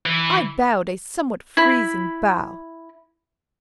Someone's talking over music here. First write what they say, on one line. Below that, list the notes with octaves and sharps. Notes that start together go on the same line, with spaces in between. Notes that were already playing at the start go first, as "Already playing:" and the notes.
I bowed a somewhat, freezing bow.
E3
E4 B5